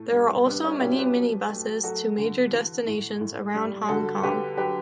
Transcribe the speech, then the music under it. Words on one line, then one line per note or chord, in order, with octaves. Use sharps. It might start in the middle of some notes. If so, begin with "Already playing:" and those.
There are also many minibuses to major destinations around Hong Kong.
Already playing: A2 A3
G3
G3 B3 D4
C#4 E4
B2 E4 G4
G4 B4
F#3
A3
F#3 F#4 A4
D3
E3
A2
A2
G3
D3 F#4 A4
D3 G4 B4
F#3 G4 B4